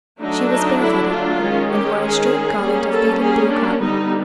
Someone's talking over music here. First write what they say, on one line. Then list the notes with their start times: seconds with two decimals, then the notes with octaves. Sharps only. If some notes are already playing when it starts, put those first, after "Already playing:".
She was barefooted, and wore a straight garment of faded blue cotton.
0.21 D3 F#3 A3 D4 D#4
0.51 D#4
0.81 E4
1.11 F4
1.41 D#3 G#3 C#4
1.71 G4
2.01 G#4
2.62 G3 A#3 C#4
2.92 A4
3.22 G#4
3.52 D4
3.82 D3 G3 B3 D#4